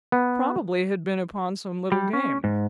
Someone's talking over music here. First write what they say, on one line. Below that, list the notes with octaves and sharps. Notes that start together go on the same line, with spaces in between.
Probably had been upon some little game.
B3
G3
C#4
G#2